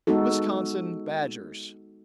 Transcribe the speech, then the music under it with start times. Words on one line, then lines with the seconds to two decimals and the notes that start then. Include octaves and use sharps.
Wisconsin, badgers.
0.07 G#3 B3 D#4 F#4 A4